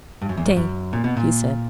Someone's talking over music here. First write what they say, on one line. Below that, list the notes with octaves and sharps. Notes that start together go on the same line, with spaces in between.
"Stay!" he said.
G2
F#2
E2
F#2
F#2
A#2
B2
A#2